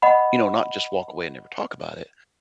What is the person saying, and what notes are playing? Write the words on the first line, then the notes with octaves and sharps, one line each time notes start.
You know, not just walk away and never talk about it,
D#5 F#5 B5